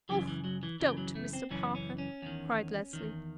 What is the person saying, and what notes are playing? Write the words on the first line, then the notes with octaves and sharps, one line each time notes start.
"Oh, don't, Mr. Parker," cried Leslie.
F#2 C#3 E3 F#3
E3
F#3
E3
F#2 C#3 E3 F#3
F#3
A3
C4
F#2 C#3 E3 C#4
C#4
C#4
E2 D#3
E2 D#3